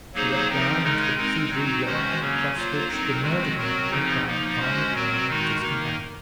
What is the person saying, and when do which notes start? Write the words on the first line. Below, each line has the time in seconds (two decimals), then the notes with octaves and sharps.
She went down into the cathedral yard, across which the murdered man had gone arm-in-arm with his companion.
0.13 F#3 A#3 D#4 G#4 C5
0.48 F3 C4 D#4 A#4
0.82 C#3 G#3 D#4 A#4
1.16 G#3 C4 D#4 A#4
1.50 F#3 C4 D#4 F#4
1.85 D#3 G#3 C#4 F#4 C5
2.19 C#3 F#3 A#3 C#4
2.54 F#3 A#3 F4 C5
2.88 F#3 C4 D#4 A#4
3.21 D#3 G#3 C4 F#4
3.56 F#3 C4 F#4 A#4
3.90 C#3 F3 C4 D#4
4.25 F3 A#3 D#4
4.59 G#3 C#4 F#4 C5
4.93 F#3 C4 F#4 A#4
5.27 D#3 G#3 D#4 F#4 A#4
5.62 D#3 A#3 D#4 A#4